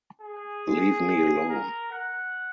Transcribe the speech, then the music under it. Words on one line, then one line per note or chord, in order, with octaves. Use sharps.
Leave me alone.
G#4
A#4
F#5